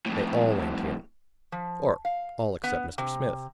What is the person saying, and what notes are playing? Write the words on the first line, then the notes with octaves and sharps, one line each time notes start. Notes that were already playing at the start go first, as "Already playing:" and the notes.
They all went in--or all except Mr. Smith.
F2 A2
F3
F5
B3
C3